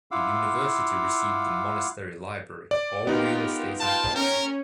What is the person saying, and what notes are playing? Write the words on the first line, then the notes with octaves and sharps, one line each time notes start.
The university received the monastery library, all real estate and property.
E4 F4 F5 F#5 D6 E6
D5
B3 D#4 F4 G4 A#4
F4 F5 G5 A5
C#4 A#4 C#5